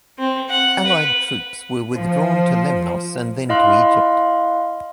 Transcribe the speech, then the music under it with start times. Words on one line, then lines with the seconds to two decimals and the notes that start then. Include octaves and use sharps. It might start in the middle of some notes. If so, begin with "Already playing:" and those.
Allied troops were withdrawn to Lemnos and then to Egypt.
0.18 C4
0.49 F#5
0.86 B4
1.96 F3
3.49 E4 D#5 F5 C6 F#6